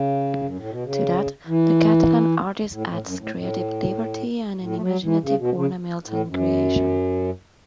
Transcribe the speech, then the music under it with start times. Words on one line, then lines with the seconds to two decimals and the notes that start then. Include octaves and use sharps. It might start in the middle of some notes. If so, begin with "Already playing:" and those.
To that, the Catalan artist adds creative liberty and an imaginative, ornamental creation.
Already playing: C#3
0.43 F#2
0.56 A2
0.70 B2
0.84 C#3
1.47 E3
2.72 A2
2.88 A2
3.04 F#2
3.20 A2
3.35 A2
4.61 A2
4.76 A3
4.82 F#3
5.03 E3
5.24 C#3
5.39 B2
5.55 C#3
6.07 A2
6.28 F#2